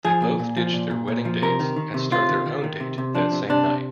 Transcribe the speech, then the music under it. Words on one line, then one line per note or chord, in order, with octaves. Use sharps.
They both ditch their wedding dates and start their own date that same night.
F3 G#4
A#2
A#2
F3
A#2
A#2
A#2
F3
C3 A#4
D#3
D#3
C3
C3 F4
D#3
D#3
D#3
C3
C3
F3 D4
C3
C3 D4
C3